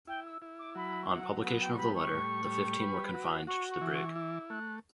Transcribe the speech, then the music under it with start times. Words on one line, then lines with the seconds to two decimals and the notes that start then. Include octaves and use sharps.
On publication of the letter, the fifteen were confined to the brig.
0.07 E4 G5
0.25 E6
0.42 E4
0.59 D6
0.75 F#3 B5
1.10 F#3 F#5
1.44 B3 F#5
1.61 G5
1.73 C#6
1.78 G3 B5
1.94 C#6
2.12 A2
2.45 G3
2.80 B4
3.14 F#4
3.47 F#4 C#6
3.70 C#6
3.81 E3
3.93 C#6
4.15 E4 D6
4.50 A3 F#6